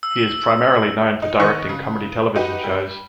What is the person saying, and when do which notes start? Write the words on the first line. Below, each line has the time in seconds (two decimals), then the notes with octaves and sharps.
He is primarily known for directing comedy television shows.
0.03 E6
1.22 D#4
1.40 D#3 B3 D#5 C#6 F#6 C#7
1.69 C#3
2.35 D#4 F#4 G4 B4
2.64 G3